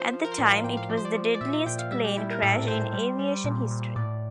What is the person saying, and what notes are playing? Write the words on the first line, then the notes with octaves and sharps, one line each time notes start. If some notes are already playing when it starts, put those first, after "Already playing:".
At the time, it was the deadliest plane crash in aviation history.
Already playing: F3 C5
F3
A#4
C5
A2 D5
F5
A2 G5
F5
F3 D5
C5
D5
F3
D5
A#2 E5
E5
A#2 G5
F5
G3 E5
G4
G3 E4
A#4
A2 A4
A2 C5
G3
G3
A#2
A#2
A2 D5